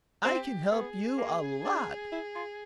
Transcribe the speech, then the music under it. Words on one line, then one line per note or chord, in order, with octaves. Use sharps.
"I can help you a lot."
C4 G4
B3 G#4
A#3
D4
E4
F4